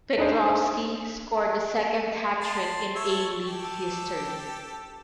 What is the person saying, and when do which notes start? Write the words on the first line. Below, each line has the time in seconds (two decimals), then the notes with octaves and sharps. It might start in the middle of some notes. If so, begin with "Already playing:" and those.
Petrovski scored the second hat trick in A-League history.
0.18 D4 D#4 G#4 C5
2.41 A5 C6
2.96 C#5 E5 A5
3.47 G4 A4